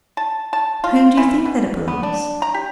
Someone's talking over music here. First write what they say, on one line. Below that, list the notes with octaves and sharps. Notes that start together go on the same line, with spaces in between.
"To whom do you think that it belongs?"
A5
A5
F4
E3
B2
B3
D4
A#5
G4